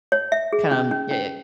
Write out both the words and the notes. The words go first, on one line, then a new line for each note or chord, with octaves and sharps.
come Yeah
C#5
E5
G#4
C#4
C#4
C#4